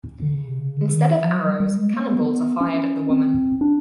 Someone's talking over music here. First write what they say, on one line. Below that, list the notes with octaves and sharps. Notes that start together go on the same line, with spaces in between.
Instead of arrows, cannonballs are fired at the woman.
D3
C#3
C3
C#3
D3
D#3
E3
F3
F#3
G3
G3
G#3
A#3
B3
C#4
C4
D4